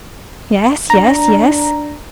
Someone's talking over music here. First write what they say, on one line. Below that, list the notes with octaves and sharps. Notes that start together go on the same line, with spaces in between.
"Yes, yes, yes!"
D4 A#5